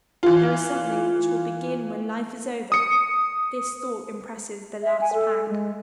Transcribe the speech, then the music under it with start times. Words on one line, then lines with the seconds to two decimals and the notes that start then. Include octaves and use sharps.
There is something which will begin when life is over; this thought impresses the last pang.
0.23 E3 F4
2.72 D#6 C#7
4.82 E5
5.01 G#5
5.14 A4
5.49 G#3